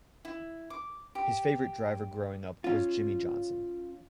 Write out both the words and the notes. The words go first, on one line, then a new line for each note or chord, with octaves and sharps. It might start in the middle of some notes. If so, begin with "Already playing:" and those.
His favorite driver growing up was Jimmie Johnson.
E4
D6
G4
C#4 F4